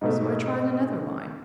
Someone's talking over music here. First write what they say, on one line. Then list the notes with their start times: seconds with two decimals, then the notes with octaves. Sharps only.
So I tried another line.
0.01 G#2 B2 A3